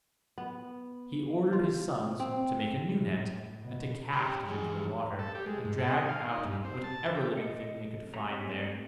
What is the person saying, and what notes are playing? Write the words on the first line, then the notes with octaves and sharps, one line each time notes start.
He ordered his sons to make a new net, and to cast it into the water, and drag out whatever living thing they could find there.
B3
F4
C4
A2
B2
C#4 G4
F2 E3 G#3 G#4
A4
G4
G#3
G#2
A4
D#5
F5
D#4
G2
C4
A5
G4
A4 D#5
A2 C4 G4 A4 C#5 A#5